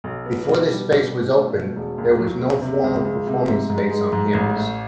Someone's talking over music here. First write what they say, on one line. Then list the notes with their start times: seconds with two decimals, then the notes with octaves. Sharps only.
Before this space was opened there was no formal performing space on campus.
0.04 B1
0.26 B3
0.47 B2
0.68 G3
0.90 B2
1.12 B2
1.33 A3
1.55 B2
1.76 E1
1.98 D#2
2.19 F#3
2.40 D#2
2.62 C3
2.84 C#2
3.05 C#2
3.27 C3
3.48 G#2
3.70 G#2
3.91 G#3
4.12 G#2
4.34 A1
4.56 A3